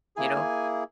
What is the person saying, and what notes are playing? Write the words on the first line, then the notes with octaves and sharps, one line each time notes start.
You know?
A#3 E4 G#4 G#5